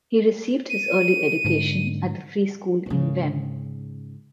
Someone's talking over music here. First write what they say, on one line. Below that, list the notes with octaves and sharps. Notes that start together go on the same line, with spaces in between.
He received his early education at the free school in Wem.
D#7
G#2 D3
G#2 C#3